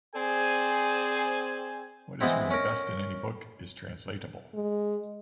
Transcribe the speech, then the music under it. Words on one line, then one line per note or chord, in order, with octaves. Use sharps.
What is really best in any book is translatable.
C4 G#4 C5 D5 G#5
E3 G#3 B3 C4 E4
C#4 A#4
G#3